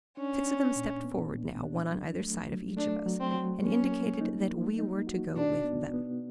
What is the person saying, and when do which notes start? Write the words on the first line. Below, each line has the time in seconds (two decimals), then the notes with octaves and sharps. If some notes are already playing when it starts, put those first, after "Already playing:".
Six of them stepped forward now, one on either side of each of us, and indicated that we were to go with them.
0.17 C#4 D4
0.46 D4
0.76 A#2
1.04 B3
1.33 A#2
1.62 D4
1.90 F#3
2.20 A3
2.49 F#3
2.77 A3 D4
3.06 F#3
3.20 C4
3.34 F#3
3.63 A#3 C#4
3.92 A#3
4.21 D#4
4.50 A#3
4.79 D#4
5.07 F#4
5.36 B2 D4
5.64 B3
5.93 B3